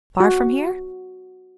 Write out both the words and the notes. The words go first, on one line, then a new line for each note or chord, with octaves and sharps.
"Far from here?"
F#4